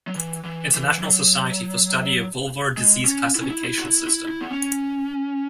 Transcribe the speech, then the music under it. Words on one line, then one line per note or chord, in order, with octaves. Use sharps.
International Society for Study of Vulvar Disease classification system.
F#3
E3
E3
E3
E3
F#3
G#3
C#4
E4
C#4
E4
E4
F#4
E4
E4
E4
B3
C#4